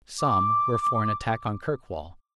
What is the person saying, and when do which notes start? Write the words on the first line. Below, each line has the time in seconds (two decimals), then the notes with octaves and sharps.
Some were for an attack on Kirkwall.
0.20 D6